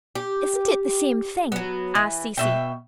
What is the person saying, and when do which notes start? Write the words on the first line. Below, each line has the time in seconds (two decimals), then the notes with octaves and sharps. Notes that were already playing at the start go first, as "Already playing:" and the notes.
"Isn't it the same thing?" asked Cecy.
0.15 G4
1.52 F#3 B3
1.95 E3
2.37 B2 E5 G5